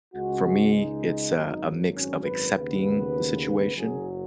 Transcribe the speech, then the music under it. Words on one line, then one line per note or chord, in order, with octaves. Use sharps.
For me, it's, uh, a mix of accepting the situation,
C#2 C#3 G#3 F#4
D#4
G#1 F#2 F#3 D#4
C#4
B4
D#2 C#3 B3 B4
F#1 F#2 F#3 G#4